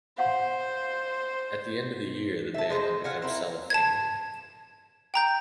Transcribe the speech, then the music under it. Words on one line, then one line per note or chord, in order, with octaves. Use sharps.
At the end of the year the band had become Cellophane.
C5 F5 F#5 C6
E5 A5
G#3 D#4 B4 C5
F4 F#5 G#5
C4 E4 A#4
A5 G#6
G5 A#5 G6